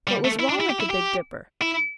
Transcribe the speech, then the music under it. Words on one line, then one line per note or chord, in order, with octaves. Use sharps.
What was wrong at the Big Dipper?
G3
A3
E4
D4
E4
G4
E4
G4
E4